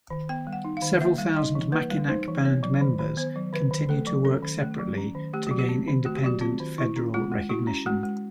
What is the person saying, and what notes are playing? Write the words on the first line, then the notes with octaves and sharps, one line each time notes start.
Several thousand Mackinac Band members continue to work separately to gain independent federal recognition.
D#3
B3 G5
G3
F#5
D#4
F5
D#3
A#3 E5
G3
D#4 D#5
E3
A#3 B4
G3
D#4 C5
E3
B3 C#5
F#3
D#3
D#3
B3 C5
F#3
D#3 B4
D#3
A3 A4
F#3
C#4 A4
D#3
A3
F#3
C#4
D#3
A3 G4
F#3 F#4
G4
C4
D#3
A3 F#4
G4
F#3 F#4
C4 F4
D#3
E4
C#4
G#3 F4
G#3
E4 F#4
C#4
G#3 F#4
G#3